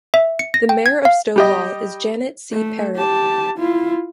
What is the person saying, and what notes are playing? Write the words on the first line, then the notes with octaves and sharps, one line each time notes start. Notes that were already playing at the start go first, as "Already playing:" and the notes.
The Mayor of Stovall is Janet C. Parrott.
E5
C#7
A#6
G5
G#6
F5
G3 G4 D#5
A3
G4 A5
E4 F4